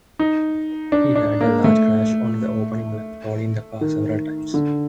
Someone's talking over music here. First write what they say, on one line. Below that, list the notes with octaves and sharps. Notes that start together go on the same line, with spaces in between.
He had a large crash on the opening lap, rolling the car several times.
D#4
D4
D4
A#3
A3
D#3
D3